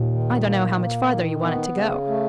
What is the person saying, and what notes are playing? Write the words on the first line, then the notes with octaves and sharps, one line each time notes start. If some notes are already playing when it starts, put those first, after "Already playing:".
I don't know how much farther you want it to go.'
Already playing: D#2 A#2
D#3
A#3
A#3
D#3
B3
C#3
A3